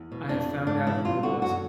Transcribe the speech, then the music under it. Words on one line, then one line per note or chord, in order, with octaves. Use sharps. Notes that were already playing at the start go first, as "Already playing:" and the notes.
I have found out who it was.
Already playing: E2
B2
F2 D4
C#3
G#2 D4
E3 E4
G2 F4
D3 F#4
F#2 F#4